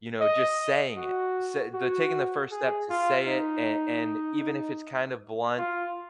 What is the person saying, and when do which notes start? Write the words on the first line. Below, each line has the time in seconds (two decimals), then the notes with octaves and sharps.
you know, just saying it, s they're taking the first step to say it and and even if it's kinda blunt,
0.21 D#5
0.97 F#4
1.74 F#4
2.51 G#4
2.89 F4
3.27 D#4
5.58 F4